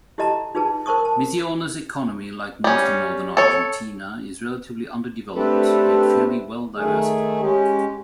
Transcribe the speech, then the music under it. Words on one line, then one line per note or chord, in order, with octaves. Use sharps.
Misiones' economy, like most in northern Argentina, is relatively underdeveloped yet fairly well-diversified.
E4 G4 A4 D#5 A5 A#5
D#4 F4 G#4 B4 A5
A#4 C5 A5 C#6 D#6
A5
G3 C#4
A4 C#5
A3 C4 D4 G4 A4 B4
D#3 A3 G#4
G#3 C#4 G4